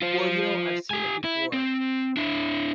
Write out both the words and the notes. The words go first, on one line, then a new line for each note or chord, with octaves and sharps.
Well, you know, I've seen it before
F4 C5
G4 G#5
E4
C4
D4 E4